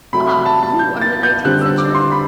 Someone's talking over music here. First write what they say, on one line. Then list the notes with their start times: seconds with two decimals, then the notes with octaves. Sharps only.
Ah! you are the nineteenth century?
0.13 C3 F#3 A3 B5
0.29 B5
0.46 A5
0.63 A5
0.79 G6
1.01 A6
1.23 G6
1.45 D3 G3 C4 F#6
1.61 E6
1.78 D6
1.95 C6
2.12 B5